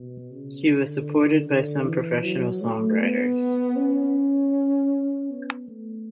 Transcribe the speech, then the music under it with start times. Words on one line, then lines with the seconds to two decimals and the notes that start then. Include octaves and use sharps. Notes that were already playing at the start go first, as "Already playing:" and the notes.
She was supported by some professional songwriters.
Already playing: B2
0.31 C#3
0.69 D3
1.46 D3
1.84 E3
2.23 F#3
2.62 A3
3.00 B3
3.76 C#4
5.30 B3
5.68 A3